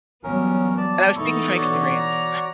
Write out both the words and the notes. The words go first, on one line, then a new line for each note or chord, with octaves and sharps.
and I was speaking from experience.
E3 F#3 G3 B3 C#4 A#4
G3 D5 A5
B2 E3 B3 D#4 E4 A4 C#6 E6
F#4 C#5 D5
A#5